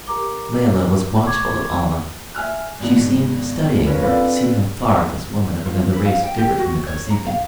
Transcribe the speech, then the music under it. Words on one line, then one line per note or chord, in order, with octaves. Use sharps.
Layelah was watchful of Almah; she seemed studying her to see how far this woman of another race differed from the Kosekin.
G4 A#4 A#5 D6 G7
C#6 D6 G#6
E5 G#5 F6 F#6
G#1 B2
C#4 F4 A#4 B4 C#5
C4 D4 F4 A4 B4 F5
F4
B4
F5
G5
G4
F#4
C#5
A#5
F5